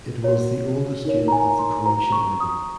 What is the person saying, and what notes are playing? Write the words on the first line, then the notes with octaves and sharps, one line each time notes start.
It was the oldest unit of the Croatian Army.
F#4 C#5
D#4 A#4 C#5
A#5
G#5
C6
F#4 C5 A#5
C#6
D#6